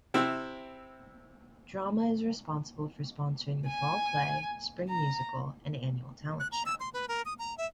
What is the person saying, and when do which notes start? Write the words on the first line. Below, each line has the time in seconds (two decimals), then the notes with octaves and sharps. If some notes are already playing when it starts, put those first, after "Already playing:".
Drama is responsible for sponsoring the fall play, spring musical and annual talent show.
0.14 C3 C4 E4
3.67 G#5
4.89 A#5
6.40 F#6
6.52 A#5
6.66 E6
6.80 C6
6.94 B4
7.08 A#4
7.25 D#6
7.39 A#5
7.58 E5